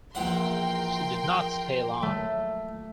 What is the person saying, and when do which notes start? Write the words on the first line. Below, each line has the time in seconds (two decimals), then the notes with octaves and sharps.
She did not stay long.
0.15 A#1 E2 A#4 F#5 G5 C6
2.03 A3